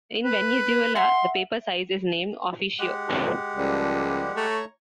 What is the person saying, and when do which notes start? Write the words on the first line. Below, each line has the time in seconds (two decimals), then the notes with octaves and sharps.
In Venezuela, the paper size is named "oficio".
0.24 B4
0.95 E5 F#5 C6
2.79 G#3 G4 F#5
3.56 C#2 F3 G3 A#3
4.36 A3 C#5 A#5 C#6